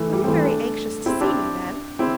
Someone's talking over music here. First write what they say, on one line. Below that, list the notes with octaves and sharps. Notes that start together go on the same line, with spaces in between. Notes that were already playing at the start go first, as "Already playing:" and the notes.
"Were you very anxious to see me, then?"
Already playing: E3 A3
G3
C4
E3 A3
A3 D4
C4 E4
D4 G4
C4 E4